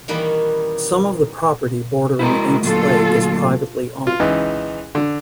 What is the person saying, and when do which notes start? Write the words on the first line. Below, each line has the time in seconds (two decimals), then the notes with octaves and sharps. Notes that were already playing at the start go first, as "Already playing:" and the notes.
Some of the property bordering Inks Lake is privately owned.
0.08 D#3 E3 G3 A#3 B3 C#4
2.19 G#3 E4 F#4 A#4
2.63 D2 A#2 F#3 F4 A4
4.07 F4
4.20 C#2 E3 D#4
4.95 D3